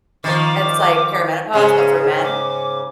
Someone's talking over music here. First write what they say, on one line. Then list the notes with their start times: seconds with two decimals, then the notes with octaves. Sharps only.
it's like perimenopause, but for men.
0.24 D#3 F3 D6
1.53 G#2 C#3 G#4
2.24 D6